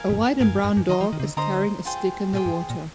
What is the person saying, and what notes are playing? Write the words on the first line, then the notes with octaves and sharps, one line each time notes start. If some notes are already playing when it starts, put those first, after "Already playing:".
A white and brown dog is carrying a stick in the water.
Already playing: A#4 F5 G#5
G#2
G2
G#2 A#4 F5 G#5
F2
G2
G2
G2
D#3 C5 D#5 A#5
F3
D#3
C3
D3
D3 C5 D#5 A#5
F4 G#4 C5 G5
A#2 F4 G#4 C5 G5
G2
A#2